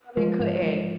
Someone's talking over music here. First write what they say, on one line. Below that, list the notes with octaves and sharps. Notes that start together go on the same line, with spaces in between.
probably couldn't.
F3 G#3
G#2
G#3